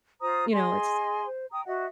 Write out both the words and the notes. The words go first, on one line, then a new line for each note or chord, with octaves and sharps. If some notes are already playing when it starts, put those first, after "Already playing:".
You know, it's
F4 C5 A#5 D#6
G#4 D#5 G#5 C6
C5
G5 A#5 D#6
F#4 D#5 E5 F#5